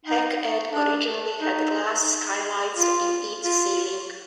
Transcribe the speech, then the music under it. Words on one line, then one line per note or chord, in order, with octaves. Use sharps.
Hec Ed originally had glass skylights in its ceiling.
D#4
D4
D#4
F4
F4